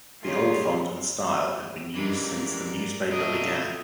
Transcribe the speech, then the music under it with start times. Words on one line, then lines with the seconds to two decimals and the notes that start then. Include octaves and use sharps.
The old font and style had been used since the newspaper began.
0.22 D#3 F4 G4 G#4 C#5
1.95 E3 G#3 C#4 G4 A#4 D5
3.11 B2 D4 F4 A4 A#4 D#5 E5 D7